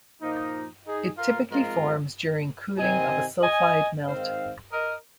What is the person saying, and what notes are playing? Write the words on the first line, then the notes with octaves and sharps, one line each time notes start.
It typically forms during cooling of a sulfide melt.
A#2 F3 A#3 D#4
D#4 G#4
F4 A#4
G#2 F3 G#3 C4 F4 A#4
C3 D#3 C4 D#5 G#5
D#5 G#5
G#2 D#3 C4 C5 F5
A#4 D#5